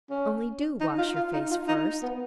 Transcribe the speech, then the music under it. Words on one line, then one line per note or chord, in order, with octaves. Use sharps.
Only do wash your face first.
C#4
D#4
F4
F4
D#4
F4
D#4
B3